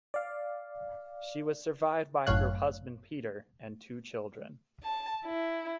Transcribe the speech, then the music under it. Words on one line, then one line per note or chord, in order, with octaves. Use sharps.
She was survived by her husband Peter and two children.
D5 F5
G1 F#2 A2 C#5 F5 F#6
A5
E4